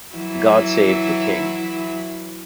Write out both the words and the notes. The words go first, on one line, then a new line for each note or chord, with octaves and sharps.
God save the King.
E3 F#3 E4